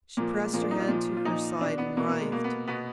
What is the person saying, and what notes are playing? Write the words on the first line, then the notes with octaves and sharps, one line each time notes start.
She pressed her hand to her side and writhed.
A#2 F3 A#3
G#3
A#2 F3 A#3
D4
D#4
F4
A#2 F3
F4
A#2 F3 D#4
B2 D4
B3
B2 A#3
A#3
G#3
B2 A#3
B3
B2 B3